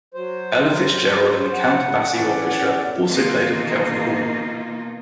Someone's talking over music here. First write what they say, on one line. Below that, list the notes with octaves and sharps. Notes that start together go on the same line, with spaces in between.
Ella Fitzgerald and the Count Basie Orchestra also played at the Kelvin Hall.
F#3 C5
F#5
A2
E2 C#4 D5
B2 D#3 E3 A#3 D#4 F4